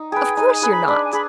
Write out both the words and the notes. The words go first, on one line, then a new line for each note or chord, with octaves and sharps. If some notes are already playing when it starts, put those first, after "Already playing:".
Of course you're not.
Already playing: D#4
G#4 B4 G5
D#4 G#5
G#5
G#4 B4
B5
D4 B5
G#5
G#4 B5